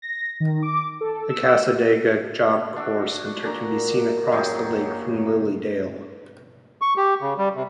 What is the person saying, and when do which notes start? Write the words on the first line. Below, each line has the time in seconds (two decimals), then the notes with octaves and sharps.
The Cassadaga Job Corps Center can be seen across the lake from Lily Dale.
0.02 A#6
0.40 D#3
0.62 D6
1.01 A4
1.29 E6
2.76 D4 F#4 A4
3.43 A#2 D4 A#5
4.32 C#3 F#3 D#4 G4
6.81 C#6
6.97 G4
7.21 C#3
7.38 G3
7.56 C3